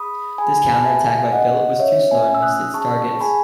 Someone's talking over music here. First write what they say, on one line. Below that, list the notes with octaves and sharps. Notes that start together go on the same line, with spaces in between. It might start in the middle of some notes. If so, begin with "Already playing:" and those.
This counter attack by Philip was too slow and missed its targets.
Already playing: G#4 B5 D#6
G#4 G#5 B5
B5
A5
G#4 E5 G#5
C#4 D#5 F#5
C#4 C#5 E5
E5 G#5
C#4
E6
D#6 F#6
G#4 A5 C#6
G#4 G#5 B5